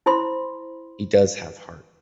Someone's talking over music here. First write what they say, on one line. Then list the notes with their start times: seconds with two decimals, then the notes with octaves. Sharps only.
He does have heart!
0.06 E4 C5 B5 C6